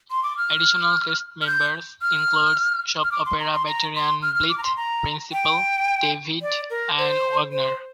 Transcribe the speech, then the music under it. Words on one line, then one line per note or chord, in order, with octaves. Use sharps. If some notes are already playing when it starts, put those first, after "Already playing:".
Additional cast members included soap opera veterans Bleeth, Principal, David, and Wagner.
C6
D6
F6
F6
G6
F6
F6
D6
C6
A#5
C6
A#5
C6
F6
F6
D6
A#5
C6
A#5
G5
D5
A#4
C5
C5